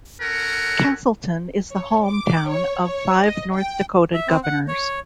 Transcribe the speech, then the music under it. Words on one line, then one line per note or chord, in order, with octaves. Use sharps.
Casselton is the hometown of five North Dakota governors.
C#4 A4 A#4 F#5
C#5
D6
C#5
C#5
D#5
G5
E5
C4
F#5
C#5